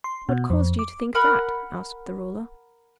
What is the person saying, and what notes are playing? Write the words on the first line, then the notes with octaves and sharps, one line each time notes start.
"What caused you to think that?" asked the Ruler.
C6
B2
F2
D6
A#4 F#5 B5 F6